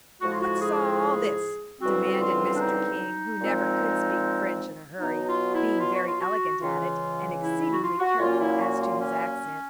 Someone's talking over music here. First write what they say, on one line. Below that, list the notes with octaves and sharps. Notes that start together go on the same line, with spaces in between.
"What's all this?" demanded Mr. King, who never could speak French in a hurry, being very elegant at it, and exceedingly careful as to his accent.
A2 F3 G#3 F#4
F4
F#4
G#4
D2 C#3 E3 G3 C4 F#4
F4
D4
D#4
A#2 F3 G#3 C4
B2 F#3 B3 D#4
F4
E4
F4
F#4
F4
F#4
C#2 C#3 E3 F4
E4
E4
F#4
F4
F#4
A#2 F#3 A#3 C#4 F4
E4
F#4
F4
C#4